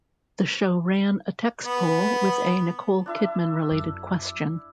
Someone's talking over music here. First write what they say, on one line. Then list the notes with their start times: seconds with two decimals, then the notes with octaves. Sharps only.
The show ran a text poll with a Nicole Kidman related question.
1.64 B3
3.06 D4 E4 E5
3.72 F#2